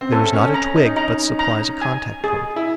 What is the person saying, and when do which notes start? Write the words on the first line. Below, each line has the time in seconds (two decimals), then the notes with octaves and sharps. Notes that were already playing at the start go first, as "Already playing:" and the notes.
There is not a twig but supplies a contact-point.
0.01 C4
0.12 C#4 A4
0.33 C#4
0.54 C#4 A#5
0.76 D#4
0.97 D#4 A#5
1.39 A#5
1.81 G#5
2.24 G#4
2.56 E4